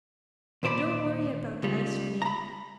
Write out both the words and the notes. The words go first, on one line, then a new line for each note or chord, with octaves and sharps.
Don't worry about the ice-cream.
D#2 A#2 C5 D5 B5
C#2 G3
A#5 B5